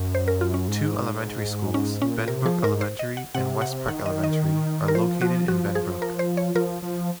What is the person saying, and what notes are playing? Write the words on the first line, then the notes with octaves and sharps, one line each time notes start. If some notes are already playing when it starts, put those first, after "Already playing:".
Two elementary schools, Benbrook Elementary and Westpark Elementary, are located in Benbrook.
Already playing: F#2
C5
A#4
F4
C#4
G#2
G#2 C#4
A#2 C#4
C3 A#4
F3 G#4
G#2 A#4
C5
D#5
F#5
C3 F#5
F#5
D#3 F#5
D#5
D#5
A#4
F3 C5
F3 F#4
F3 F#4
G#4
A#4
C5
C#5
F3 A#4
F3